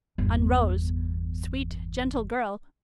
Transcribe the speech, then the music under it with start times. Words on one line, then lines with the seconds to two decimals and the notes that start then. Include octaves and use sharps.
On Rose, sweet, gentle girl!
0.18 G1 E2